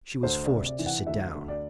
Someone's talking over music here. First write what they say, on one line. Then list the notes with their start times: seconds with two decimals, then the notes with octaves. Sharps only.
She was forced to sit down.
0.23 D2 C5
0.44 D5
0.52 C3
0.66 D5
0.79 E3
0.86 F#5
1.07 D2 E5
1.34 D2
1.48 D5